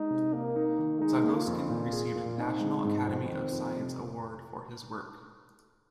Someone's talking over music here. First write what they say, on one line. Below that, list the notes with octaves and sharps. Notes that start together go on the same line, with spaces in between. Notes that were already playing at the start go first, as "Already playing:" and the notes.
Zagoskin received national Academy of Science award for his work.
Already playing: G#3 D#4
C3
A#3 A#4
D#4
A#3
D#3
G#3 D#4
A#3
F4
F2
A#2
G#4
A#2
C4 D#4
G#3
G#2
F2 C4
D#3
F2
C3